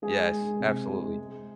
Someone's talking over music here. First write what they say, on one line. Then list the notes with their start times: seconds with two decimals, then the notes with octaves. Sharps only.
yes, absolutely.
0.02 G#3 G#4
0.32 G#3
0.60 C3
0.89 G#3
1.18 G#3